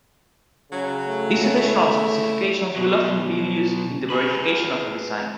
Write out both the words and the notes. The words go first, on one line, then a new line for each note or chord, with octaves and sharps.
These additional specifications will often be used in the verification of a design.
C#3 F#3
A3
E4
B2 F#3
G#4 B4